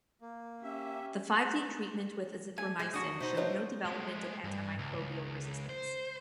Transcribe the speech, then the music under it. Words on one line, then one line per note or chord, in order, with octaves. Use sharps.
The five-day treatment with azithromycin showed no development of antimicrobial resistance.
A#3
C#4 G4 E5
A3 G#4 G#5
A2 G#3 G#5
E2 D4 F#4 D#6
B2 D#4 C5
F#3 A3 D4 B4 C#5 D#5
G#3 A3
G2
C#2
C5